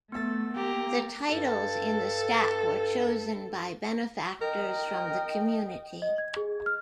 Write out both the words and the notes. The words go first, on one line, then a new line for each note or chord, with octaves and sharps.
The titles in the stack were chosen by benefactors from the community.
A3 B3 E6 A6
A#3 G4 A#5
G2 A4
A#4 D#5 G5
D#5
G#6
G#4
F6